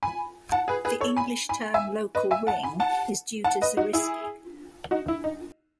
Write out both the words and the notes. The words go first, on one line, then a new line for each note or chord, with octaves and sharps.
The English term "local ring" is due to Zariski.
G#5 B5
F#5 A5
G#4 B4
G#4 B4
A4 C#5
G#5 B5
G#5 B5
E5 G#5
B4 D#5
E5 G#5
F#5 A5
G#5 B5
F#5 A5
F#5 A5
B4 D#5
D#4 F#4
E4 G#4
D#4 F#4
E4
D#4